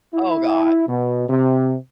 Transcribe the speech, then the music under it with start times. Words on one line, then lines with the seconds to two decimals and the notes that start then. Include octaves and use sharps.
Oh god.
0.14 E4
0.88 B2
1.29 C3